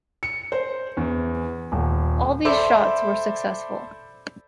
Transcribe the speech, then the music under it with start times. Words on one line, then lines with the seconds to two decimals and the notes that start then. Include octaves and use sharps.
All these shots were successful.
0.23 C#7
0.52 C5
0.97 E2
1.72 D#1
2.45 A4 C5 D5 E5 B5 D6